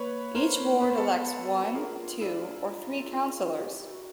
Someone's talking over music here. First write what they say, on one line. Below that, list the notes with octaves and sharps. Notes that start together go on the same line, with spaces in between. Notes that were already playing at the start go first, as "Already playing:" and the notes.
Each ward elects one, two or three councillors.
Already playing: A#3 B4 C#5
A#4 C5
B3 B4
C5
A4 B4
F#4
F4 G#4 A#4
D4 E4
F4
G4
G4
F#4